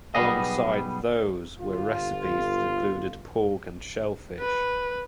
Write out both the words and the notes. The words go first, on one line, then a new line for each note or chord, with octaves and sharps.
Alongside those were recipes that included pork and shellfish.
B1 G3 B3 G#4 D#5
G1 F4
B4